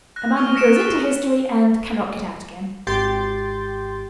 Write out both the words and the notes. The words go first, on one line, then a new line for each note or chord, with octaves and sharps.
A man who goes into history and cannot get out again.
F#6 A#6
C#6 D#6 F6 G7
F6 A#6 B6 C#7 D7 E7
F6 A6 E7
G#1 G4 G5 C6 G6 A6